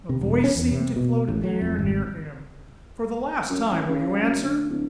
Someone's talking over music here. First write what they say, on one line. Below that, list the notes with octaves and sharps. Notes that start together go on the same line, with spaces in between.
A voice seemed to float in the air near him: "For the last time--will you answer?"
C3
E1
C#4
E2
C3
B2
A1
F#3
F2
G#1
F#2
A1
C#3
F#2
D2
D1